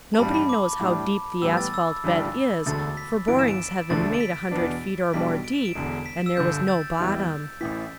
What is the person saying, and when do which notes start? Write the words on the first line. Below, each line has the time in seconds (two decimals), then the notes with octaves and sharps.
Nobody knows how deep the asphalt bed is for borings have been made a hundred feet or more deep and there was no bottom.
0.14 A5
0.19 A1 G2 G3 B5
0.34 B5
0.49 D6
0.81 A2 G3 D4
1.42 A2 E3 G3 B3 E6
1.57 A6
1.74 E6
2.04 G1 G2 E3 G3 D4
2.66 E1 D2 D3 A3 A6
2.97 B6
3.28 G1 G2 E3 B3 D7
3.39 E7
3.48 D7
3.90 E1 D2 D3 A3 D4 A6
4.14 D7
4.20 B6
4.51 E2 B2 B3 D4
5.14 B1 B2 G3 D4 B6
5.44 D7
5.54 E7
5.65 D7
5.75 E1 E2 D3
6.06 B6
6.17 E7
6.26 E6
6.37 G1 G2 D3 G6
6.68 A6
6.99 E2 E3 G3 E4
7.61 A1 A2 E3 B6